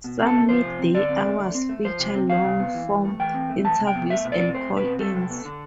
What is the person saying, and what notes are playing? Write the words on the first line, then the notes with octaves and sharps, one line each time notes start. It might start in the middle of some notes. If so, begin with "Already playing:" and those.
Some midday hours feature longer-form interviews and call-ins.
B2
C4
A4
A3
F3 C5
C3
C4
D3 D5
C4
A3
D3
C4
A3
F3 C5
C3
C4
E3 F5
C3
B3
E3
G2
A3
E3 G5
C4
A3
E3 A5
C3
G5
B3
A3 E5
B2
D5
C4
A3 C5
B2
B4
C4
G3 A4
C3
B3
D3